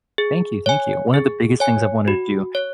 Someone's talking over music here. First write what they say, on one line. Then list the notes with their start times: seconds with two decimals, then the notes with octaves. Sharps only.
Thank you, thank you. One of the biggest things I've wanted to do
0.18 G#4
0.66 C#5 G#5
1.14 G#4
1.60 C#5 G#5
2.08 F#4
2.55 C#5